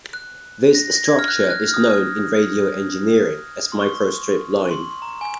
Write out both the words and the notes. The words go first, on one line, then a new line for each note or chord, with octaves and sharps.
This structure is known in radio engineering as microstrip line.
F#6
A#6
A#6
G#6
F6
F#6
F#6
F6
D#6
C6
C#6
C#6
C6
C6
A#5
G#5